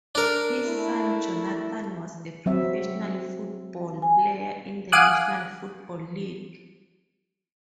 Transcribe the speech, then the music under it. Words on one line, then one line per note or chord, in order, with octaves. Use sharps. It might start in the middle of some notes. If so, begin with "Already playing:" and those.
His son Jonathan was a professional football player in the National Football League.
D4 A#4
A3 E4
F#3 C4 E5
G#5
F5 F#5 G#5 D6 D#6 F#6